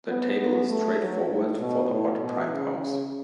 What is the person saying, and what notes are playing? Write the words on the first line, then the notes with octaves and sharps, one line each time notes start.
The table is straight forward for the odd prime powers.
B3
B3
A3
F#3
A2
B2
A2
B2
C#3
C#3